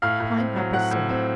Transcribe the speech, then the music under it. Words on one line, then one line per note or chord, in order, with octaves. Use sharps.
Pine Apple Syrup.
A2 F5 F6
A2
C4
F#3
A2 F#5 F#6
A2
C4